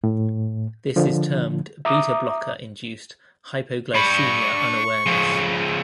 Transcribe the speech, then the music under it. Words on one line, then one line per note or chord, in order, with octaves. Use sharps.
This is termed beta blocker induced hypoglycemia unawareness.
A2
D3 F3
E5 A#5 D6 D#6
D4 B5 C#6
F3 G#3